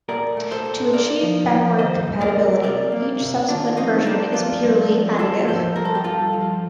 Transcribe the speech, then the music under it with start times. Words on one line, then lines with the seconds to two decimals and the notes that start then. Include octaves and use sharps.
To achieve backward compatibility, each subsequent version is purely additive.
0.09 A#2 A#4 D5
0.37 A3
0.51 A4 C5
0.66 A#2
0.93 A#3 A#4 D5
1.23 F3
1.50 F3
1.78 D#3 C5 D#5
2.07 G2
2.21 A#4 D5
2.36 G2
2.64 C3 A#4 D5
2.92 A#3
3.21 C3
3.49 D#3 D4 F4
3.77 F2 C4 D#4
4.05 F2 A#3 D4
4.34 F2 D4 F4
4.63 G3
4.91 F2
5.19 F3 F4 A4
5.48 F3 A4 C5
5.76 G2 A#4
5.85 A4
5.95 G4
6.04 G2 F4 A4
6.33 F3